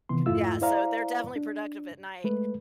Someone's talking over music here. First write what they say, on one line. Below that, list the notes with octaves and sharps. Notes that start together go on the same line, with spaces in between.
yeah, so they're definitely productive at night.
C3 D#3 E3 B3 C6
F2 G#2 A3 E4 F4 E6
E4 C5 D5 F5 A#5
D4
G#3 A3 B4